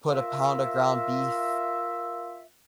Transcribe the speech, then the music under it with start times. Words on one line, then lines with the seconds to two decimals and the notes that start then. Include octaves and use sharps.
put a pound of ground beef
0.11 F4 A#4 E5